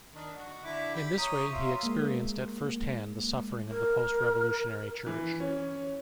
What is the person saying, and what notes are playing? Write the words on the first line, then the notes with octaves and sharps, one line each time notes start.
In this way he experienced at firsthand the suffering of the post-Revolutionary Church.
D#3 D4
F#4
D3 E4 D6
G4
C#5 A#5 D#6
F4 E5 C6
G#3 A#3
A#4
E3
C#4